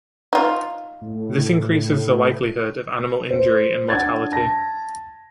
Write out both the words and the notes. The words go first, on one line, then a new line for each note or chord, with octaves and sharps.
This increases the likelihood of animal injury and mortality.
D#4 F4
A2
C5
D4 F#5 G#6 A6
A5 A#6